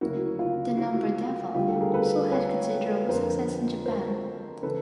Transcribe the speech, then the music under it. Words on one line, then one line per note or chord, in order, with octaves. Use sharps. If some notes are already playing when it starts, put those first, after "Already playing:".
"The Number Devil" also had considerable success in Japan.
D2 C#3 F#3 A#3 E4 F#4
F4
E4 F#4
D2 D3 G3 F4 G4
G4 A4
G#4 A#4
A4 B4
B4 C#5
F2 D3 F3 A#3 A#4 C5
A#4 C5
C#3 E3 A4 B4